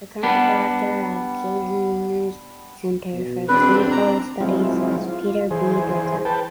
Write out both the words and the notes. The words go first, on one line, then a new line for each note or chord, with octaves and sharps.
The current director of Geisinger's Center for Clinical Studies is Peter B. Berger.
G3 B3 D4
B2
E1 C4 D4 B4
A#5
F#3 G#3 C4 E4 F4
F4
E3 G#4 C5
B4 G5 A5